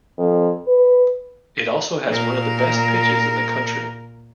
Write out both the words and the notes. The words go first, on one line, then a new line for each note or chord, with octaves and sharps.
It also has one of the best pitches in the country.
F2
B4
A#2 A#4